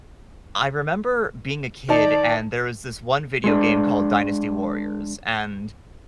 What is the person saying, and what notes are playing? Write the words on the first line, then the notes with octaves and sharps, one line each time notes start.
I remember being a kid, and there was this one video game called Dynasty Warriors, and
D#3 D#4 D5 A5
G#3 A3 D4